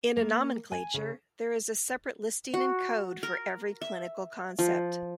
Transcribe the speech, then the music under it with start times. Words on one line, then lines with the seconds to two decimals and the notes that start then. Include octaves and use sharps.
In a nomenclature there is a separate listing and code for every clinical concept.
0.17 A#3
0.72 G#5
0.94 C#3
2.54 F#4
3.23 A#4
3.81 E5
4.59 F3